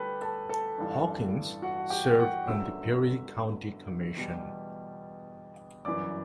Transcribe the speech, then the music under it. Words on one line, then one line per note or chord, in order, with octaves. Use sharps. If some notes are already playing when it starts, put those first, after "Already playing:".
Hawkins served on the Perry County Commission.
Already playing: D2 G3 G4 A4 B4 B5
A4 A5
A4 A5
A1 G2 E3
F#4 F#5
G4 G5
F#4 F#5
G1 F#2 D3 F#3 E5 E6
E2 B2 G3
G1 F#2 E3 D5 D6